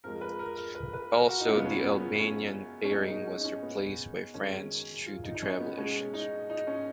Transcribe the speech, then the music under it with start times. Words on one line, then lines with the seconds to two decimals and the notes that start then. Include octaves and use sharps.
Also the Albanian pairing was replaced by France due to travel issues.
0.04 F2 F3 G#3 A#4
0.21 B4
0.39 A#4
0.57 A#4
0.75 B4
0.93 B4
1.12 A#4
1.29 F#4
1.40 D#4
1.46 F#2 C#3 G#3 F4
1.57 B3
1.65 C#4
2.00 B3
2.19 C#4
2.84 C#4
2.90 B2 G#3 D#4
3.09 D#4
3.26 C#4
3.40 D#4
3.44 C#4
3.63 B3
4.34 F#2 D#3 G#3 C#4
5.06 F4
5.24 D#4
5.35 D#4
5.42 C#4
5.60 B3
5.78 B2 G#3 C#4
6.14 D#4
6.50 D#4
6.67 C#4